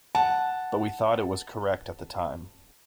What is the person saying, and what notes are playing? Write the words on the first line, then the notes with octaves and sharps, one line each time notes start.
But we thought it was correct at the time.
F#5 A5